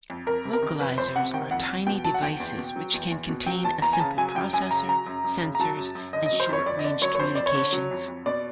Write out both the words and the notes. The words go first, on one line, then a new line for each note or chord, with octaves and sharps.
Localizers are tiny devices which can contain a simple processor, sensors, and short-range communications.
F2
F2 A#4
C3
A#4
D#3
F2 B4
F2 C5
C3 F#5
D#3 G5
F2 F#5
F2
B2 G5
F#3 A5
F#5
E2 G5
E2
B2
F#3
E2
E2
B2
F#3 G5
E2 A5
E2 A#5
G#5
C#3 A5
F#3 G#5
F#2 G5
F#2 G#5
C#3 A#5
F#3 A#5
F#2
F#2
C#3
A#5
F#3 A5
F#2
F#2
D3 D#5
D#5
F#3
C5
F2 C#5
F2 D5
D#5
D3 D5
F#3 C#5
C#5
F2 C5
F2 D5
C#5
D3
F#3
F2
F2
B2 D5